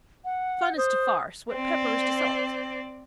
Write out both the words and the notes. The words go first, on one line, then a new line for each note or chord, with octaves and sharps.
Fun is to farce what pepper is to salt.
F#5
C5 D#6
C4 D5